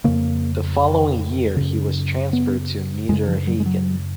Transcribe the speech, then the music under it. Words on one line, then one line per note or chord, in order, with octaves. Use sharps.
The following year he was transferred to Niederhagen.
F2 C#3 A#3
F#2 C#3
B3
F#2 C#3 G#3
F3
F#3
G#3
F#3